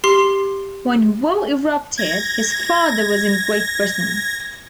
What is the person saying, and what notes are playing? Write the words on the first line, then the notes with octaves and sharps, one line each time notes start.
When war erupted, his father was in Great Britain.
G4 C6 C7
G#6 A#6